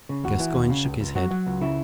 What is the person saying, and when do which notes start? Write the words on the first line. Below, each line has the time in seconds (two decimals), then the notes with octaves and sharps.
Gascoyne shook his head.
0.09 C#3
0.24 D#2 F#4
0.40 E3
0.55 D#2
0.70 C#3
0.85 C#2
1.00 C#2
1.15 F#3 F#4
1.31 F#3
1.47 C#2
1.61 C#3 E4